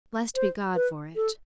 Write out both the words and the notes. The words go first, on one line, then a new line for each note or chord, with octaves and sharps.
Blessed be God for it!
C5
B4
A4